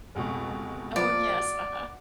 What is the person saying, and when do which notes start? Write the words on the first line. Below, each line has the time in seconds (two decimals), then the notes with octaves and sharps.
Oh, yes, uh-huh.
0.15 F1 C#2 B2
0.96 F3 A#3 D5
1.36 F#4